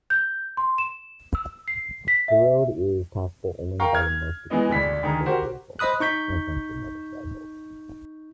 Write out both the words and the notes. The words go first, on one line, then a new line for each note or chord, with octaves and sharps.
The road is passable only by the most extreme off-road vehicles and adventure motorcycles.
G6
C6
E7
E6
C7
B6
E5
A#4 F5 G5 A#5 C#6
F6 G#6
E3 G#3 B3 D#5
D2 D4 B6
D2 D#3 G#4 A#5
F#4 G4 A#4 C5
C5 D#5 B5 D#6 F#6
D#4 C#6 G6 B6